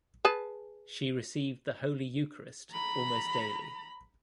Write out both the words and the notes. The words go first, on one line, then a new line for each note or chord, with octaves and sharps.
She received the Holy Eucharist almost daily.
G#4 B4 A5
A#5 B5